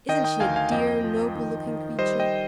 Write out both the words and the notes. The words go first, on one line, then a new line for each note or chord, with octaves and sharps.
"Isn't she a dear, noble-looking creature?"
D#3 D#5 G5
D#5 G5
D2 F5 G#5
F5 G#5
F2 D#5 G5
F3
D#3
D#3
G3 C5 D#5
D#5 G5